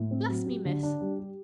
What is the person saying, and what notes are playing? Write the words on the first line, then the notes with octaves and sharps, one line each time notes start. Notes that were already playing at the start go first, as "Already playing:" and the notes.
'Bless me, miss!
Already playing: A2
C4
F#3
G4
D3
D4
G3
G4